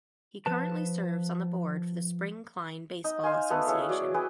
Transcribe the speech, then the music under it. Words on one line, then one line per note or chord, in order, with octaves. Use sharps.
He currently serves on the board for the Spring Klein Baseball Association.
F3 B4 A5
D#4
C5 F5 G#5
A3 B3 A4 B4
E4 G#4 C#5 F5
F#3 D5
F#4 G#4 B4 G5